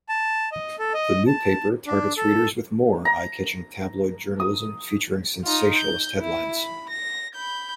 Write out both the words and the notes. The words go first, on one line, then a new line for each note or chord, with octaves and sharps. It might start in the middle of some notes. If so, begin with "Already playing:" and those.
"The New Paper" targets readers with more eye-catching tabloid journalism featuring sensationalist headlines.
A5
D#5
A4
D#5
A5
D4
A4
A#5
D#6
D#4 F4
G6
E4
B5
A#6
B5 G6